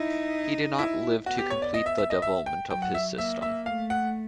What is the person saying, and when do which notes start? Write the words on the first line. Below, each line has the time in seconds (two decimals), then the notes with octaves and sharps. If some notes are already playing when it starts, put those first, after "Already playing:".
He did not live to complete the development of his system.
Already playing: D#4 E4
0.79 E4
1.26 B3 F#4
1.38 G4
1.50 C#5
1.62 D5
1.74 D#5
1.86 E5
1.98 E5
2.10 D#5
2.22 E5
2.46 G5
2.70 F#3 G5
2.82 F#5
2.94 E5
3.18 A#3 E5
3.42 E5
3.66 A3 F5
3.90 F#5